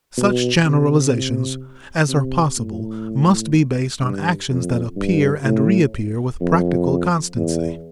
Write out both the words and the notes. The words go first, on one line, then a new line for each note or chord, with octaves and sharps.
Such generalizations as are possible must be based on actions that appear and reappear with practical constancy.
B2
C3
C3
A2
G2
F2
G2
A2
F2
E2